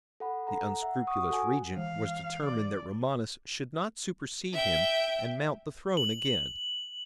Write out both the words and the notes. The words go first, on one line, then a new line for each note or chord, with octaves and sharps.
The unscrupulous regent was determined that Romanus should not supersede him and mount the throne again.
A4 F#5 B5
A4 F#5 A#5
E5 F#5
F#5 C#6 D#6
F#4 A4 F#5 G#5
E3 F5
D5
E5 G5
F#7